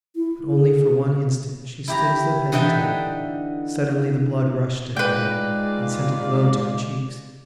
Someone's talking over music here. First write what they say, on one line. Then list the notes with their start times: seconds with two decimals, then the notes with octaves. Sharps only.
But only for one instant she stood as though hesitating; suddenly the blood rushed to her head and sent a glow to her cheeks.
0.16 E4
0.51 G#4
1.88 E4 G4 A#5
2.52 D3 E3 D#4 A4 E5 G5
4.97 G#2 G#3 F4 B4 D5 G5